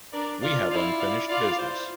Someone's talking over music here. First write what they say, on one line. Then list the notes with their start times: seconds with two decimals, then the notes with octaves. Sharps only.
We have unfinished business.
0.13 D4 A#4 D5
0.42 F4 D5 F5
0.71 E4 D5 F5
1.00 D5 F5
1.29 F4 D5 F5
1.58 C5